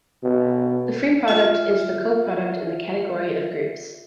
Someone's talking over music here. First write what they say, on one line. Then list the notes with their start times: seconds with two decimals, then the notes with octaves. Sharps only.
The free product is the coproduct in the category of groups.
0.24 B2
1.28 F4 E5